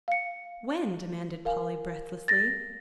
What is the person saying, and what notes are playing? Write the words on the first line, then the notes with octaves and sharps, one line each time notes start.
"When?" demanded Polly breathlessly.
F5 C#7
A#4 F5 G#5
A6 A#6